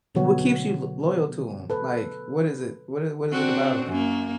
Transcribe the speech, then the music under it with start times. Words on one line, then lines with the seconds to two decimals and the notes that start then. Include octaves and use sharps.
what keeps you l loyal to 'em? Like, what is it what is what is it about 'em?
0.15 B2 D3 F#3 B3 F#4 C#5
1.70 A4 B4
3.33 C4 D4 F#4
3.87 F#2 A#3